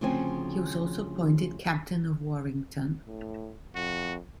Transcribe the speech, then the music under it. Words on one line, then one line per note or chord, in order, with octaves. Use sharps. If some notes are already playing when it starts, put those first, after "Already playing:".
He was also appointed captain of Warrington.
D2 C#3 F3 C4 G5 G#5
A2
F2 F#4